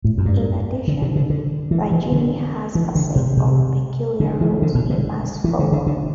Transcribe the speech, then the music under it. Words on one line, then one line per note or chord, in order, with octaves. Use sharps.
In addition, the Jinni has a set of peculiar rules he must follow.
A2
F#2
G2
D3
C3
D3
D3
E3
E3
D3
E3
D3
C3
C3
D3
E3
D3
B2
D3
E3
D3
D3
D3